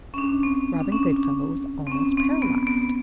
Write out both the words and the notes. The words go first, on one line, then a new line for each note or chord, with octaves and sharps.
Robin Goodfellow was almost paralyzed.
C#4
D4
C4
D4
C#4
D4
C4
C#4
C4
B3
B3